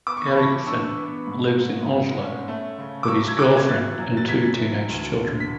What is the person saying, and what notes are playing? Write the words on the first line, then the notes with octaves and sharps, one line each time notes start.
Erichsen lives in Oslo with his girlfriend and two teenage children.
B3 D6
C#6
B5
E3 A5 C#6
D4 C#6 E6
B3
G#2
G#2
G#2
C#4
A3
C#3
D6
F#3 C#6 E6
G#6
F#3 D6 F#6
G#6
E3 F#6 A6
F#2
A6
F#2 G#6 B6
E3
D2
D3
B6